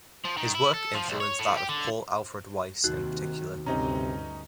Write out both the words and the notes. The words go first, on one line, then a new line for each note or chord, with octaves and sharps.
His work influenced that of Paul Alfred Weiss in particular.
F3
D#3
E4
A4
F3
B1
C#5
A2
G4
D3
D#2 C3 D#3 D#4 F#4 F#6
D2 G2 C3 C#4 D#4 D#5 A#5